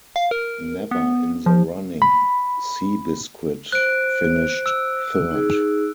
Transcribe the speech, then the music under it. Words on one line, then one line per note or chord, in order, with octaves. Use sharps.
Never in the running, Seabiscuit finished third.
F5
A#4
B3
F3
B5
C5 F#6 D7
E6
D#4 G#4